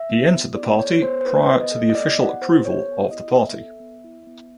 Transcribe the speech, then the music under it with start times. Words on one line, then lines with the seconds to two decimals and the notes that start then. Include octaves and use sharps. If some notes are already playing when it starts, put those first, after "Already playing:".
He entered the party prior to the official approval of the party.
Already playing: E5
0.10 B3
0.34 E4
0.56 B3 D5
0.79 A4 C#5
1.02 B3 C5
1.21 C5
1.26 E4 B4
1.49 B3
1.60 D#5
1.71 A4
1.90 D#5
1.95 B3 D5
2.18 E4 F#5
2.41 B3 C5
2.65 A4 C#5
2.88 B3
3.11 E4 D#5
3.34 B3 E5
3.57 A4
3.80 B3
4.04 E4
4.27 B3